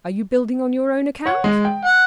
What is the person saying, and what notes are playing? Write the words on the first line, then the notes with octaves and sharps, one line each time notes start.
'Are you building on your own account?
C#5 F#5
G#3
G5
F#5